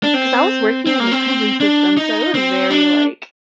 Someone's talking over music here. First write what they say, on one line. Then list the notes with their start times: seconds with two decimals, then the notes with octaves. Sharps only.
'cause I was working in the prison system, so it was very, like,
0.04 D4
0.14 C4
0.87 C4
1.00 A#3
1.12 C4
1.60 D4
1.97 D#4
2.34 C4
2.71 D4